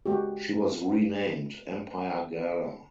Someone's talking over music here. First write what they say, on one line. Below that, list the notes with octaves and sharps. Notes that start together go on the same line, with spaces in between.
She was renamed "Empire Gala".
G#3 F#4 G4